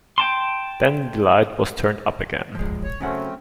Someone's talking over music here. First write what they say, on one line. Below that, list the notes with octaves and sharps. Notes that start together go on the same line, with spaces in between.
Then the light was turned up again.
G5 A5 C6
F3 G#3
C#5
C#3 F#3 A3 C4 C#4 F#5